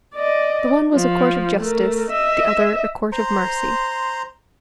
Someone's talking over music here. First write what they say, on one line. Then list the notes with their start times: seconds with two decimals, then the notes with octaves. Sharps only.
The one was a court of justice, the other a court of mercy.
0.15 D5 D#5
0.94 F3
1.59 A3 A#4
2.10 D#5 E5
3.12 C5 A#5 C6